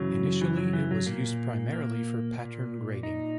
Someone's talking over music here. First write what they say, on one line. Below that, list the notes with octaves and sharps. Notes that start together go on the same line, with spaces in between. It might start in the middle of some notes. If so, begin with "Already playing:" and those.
Initially it was used primarily for pattern grading.
Already playing: F#2 C#3 E3 F#3
E3
F#3
E3
F#3
A#2 A#3
A#3
A#2
D#4